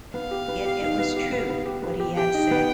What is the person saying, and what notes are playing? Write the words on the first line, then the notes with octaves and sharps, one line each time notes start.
Yet it was true, what he had said.
B3 F5
G4
B3
G4
D#4
B3
G4
B3
B3
G4
B3
G4
G4 G5
D#4
B3